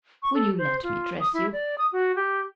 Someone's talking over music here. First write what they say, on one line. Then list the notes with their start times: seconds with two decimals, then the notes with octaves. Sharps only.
Will you let me dress you?
0.23 C#6
0.34 A4
0.58 C5
0.83 F4
1.20 D#6
1.34 E4
1.53 D5
1.78 D#6
1.92 F#4
2.16 G4